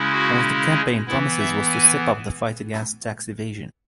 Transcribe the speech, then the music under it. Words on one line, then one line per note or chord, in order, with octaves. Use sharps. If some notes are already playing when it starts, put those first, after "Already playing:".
One of the campaign promises was to step up the fight against tax evasion.
Already playing: C#3 G#3 C#4 E4
F#4
E3 B3 E4
E5
G#5